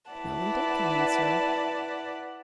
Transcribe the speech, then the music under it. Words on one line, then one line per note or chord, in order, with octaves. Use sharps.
"No one did come in, sir."
E4 B4 D5 F#5 A5